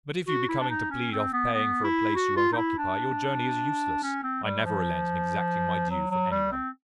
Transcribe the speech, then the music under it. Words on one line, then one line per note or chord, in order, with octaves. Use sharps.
'But if you be coming to plead off paying for a place you won't occupy, your journey is useless: I never relent in exacting my due from any one.'
F#4
E4
D4
D#4
C#4
C4
B3
B3
E4
F#4
F4
D#4
E4
D4
C#4
C4
G3
F3
F#3
F#3
G3
C4